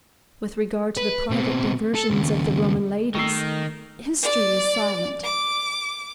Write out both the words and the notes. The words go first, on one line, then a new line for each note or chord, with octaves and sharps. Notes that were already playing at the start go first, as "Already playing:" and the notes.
With regard to the private diversions of the Roman ladies, history is silent.
B4
B2 C4
A4
D#2 C#3
D#3 A3 C#6 E6 C7
D5
D6